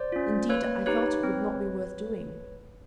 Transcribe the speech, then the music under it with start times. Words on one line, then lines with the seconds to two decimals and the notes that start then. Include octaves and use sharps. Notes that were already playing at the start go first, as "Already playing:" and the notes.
Indeed I felt it would not be worth doing.
Already playing: C5 D5
0.12 C#4 F4
0.49 A#3 B4 C#5
0.86 D#4 G4 B4 C#5
1.23 C4